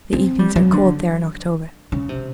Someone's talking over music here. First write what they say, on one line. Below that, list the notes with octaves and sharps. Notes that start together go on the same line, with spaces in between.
The evenings are cold there in October.
C4
G3
F#3
D3
C#3
C3